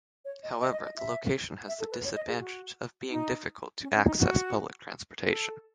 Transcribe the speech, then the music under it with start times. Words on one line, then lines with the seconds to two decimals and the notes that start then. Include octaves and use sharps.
However, the location has the disadvantage of being difficult to access public transportation.
0.25 C#5
0.43 D#5
0.61 D#5
0.72 D#5
0.84 D#5
0.96 E5
1.68 E5
1.80 A4
1.91 B4
2.04 C#5
2.16 D#5
2.27 G#4
2.40 F#4
3.11 D#4
3.82 C#4
3.95 C#4
4.07 D#4
4.19 F#4
5.26 A4